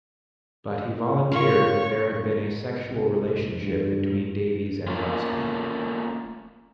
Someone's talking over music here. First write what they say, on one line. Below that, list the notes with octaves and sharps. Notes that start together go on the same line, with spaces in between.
But he volunteered that there had been a sexual relationship between Davies and Buxton.
A#3 F4 C#5 C#6
G#3
C2
G2
A3 A#3 C#4 F4